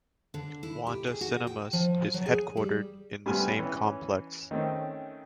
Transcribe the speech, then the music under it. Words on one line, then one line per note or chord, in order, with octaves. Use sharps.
Wanda Cinemas is headquartered in the same complex.
D3
E4
G4
G#4
F#4
G5
F3
F#3
G#4
G3
G2 C3 A3 B3 G#5 F6
E3 C#4
D#3 A3 C4 C#4